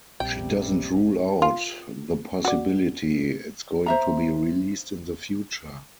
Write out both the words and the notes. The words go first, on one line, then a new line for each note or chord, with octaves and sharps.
She doesn't rule out the possibility it's going to be released in the future.
A#1 C3 G3 G5
F4
F#4 D5
C5 E5 A#5